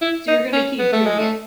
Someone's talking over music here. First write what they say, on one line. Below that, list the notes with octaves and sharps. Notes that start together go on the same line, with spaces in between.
So, you're gonna keep doing it.
E4
D#4
C#4
B3
A3
G#3
A3